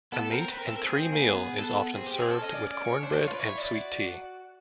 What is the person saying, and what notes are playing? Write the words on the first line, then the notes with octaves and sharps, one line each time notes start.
A meat-and-three meal is often served with cornbread and sweet tea.
B3 A4
C4 A#4
C4 B4
A#4
A4
A#4
C4 G#4
A#3
B3
B3 A4
C4 G#4
G4
G#4
C#4 A4
D#5
D5
D5
C#5
D4 C5
D5
C#5
F4 B4
E4 C#5
D5
F#4